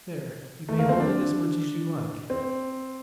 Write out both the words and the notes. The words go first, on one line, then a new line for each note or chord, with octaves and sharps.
There, you may hold it as much as you like.
A3
A#3
C4
D4
C4